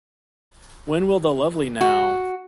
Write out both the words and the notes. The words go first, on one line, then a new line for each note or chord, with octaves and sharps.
When will the lovely 'now!
F#4